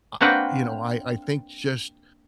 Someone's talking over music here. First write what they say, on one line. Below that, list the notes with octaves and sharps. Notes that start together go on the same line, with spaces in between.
Ah you know, I I think just
A#3 C4 D4 F#4 B4 G5